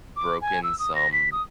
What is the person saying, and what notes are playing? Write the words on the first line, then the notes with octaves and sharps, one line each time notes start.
broken some
D6
G#5
E6
D#6
A#6
B6
D#6